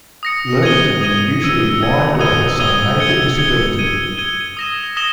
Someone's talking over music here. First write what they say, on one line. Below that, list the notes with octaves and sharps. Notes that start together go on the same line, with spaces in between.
Lirnyky were usually blind or had some major disability.
D#6 A#6 C#7
D#6 G#6 D#7 G7
D#6 G#6 D#7 G7
E6 G#6 C#7
E6 G#6 C#7
D#6 G#6 D#7 G7
D#6 G#6 D#7 G7
G#6 C#7 G7
G#6 C#7 G7
G#6 D#7 G7
G#6 D#7 G7
D#6 A#6 E7 G7
D#6 A#6 E7 G7